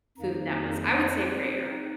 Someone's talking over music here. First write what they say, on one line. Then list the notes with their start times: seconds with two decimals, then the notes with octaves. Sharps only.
food that was, I would say, rare.
0.17 F2 D#3 A#3 D#4
0.67 C4
1.66 D#4